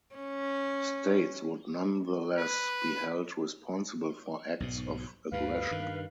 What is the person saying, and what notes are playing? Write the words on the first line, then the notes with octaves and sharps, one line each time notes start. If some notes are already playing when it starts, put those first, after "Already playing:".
States would nonetheless be held responsible for acts of aggression.
C#4
B4
B1 G#2 B2
D2 G2 B4 F5
G2 D#3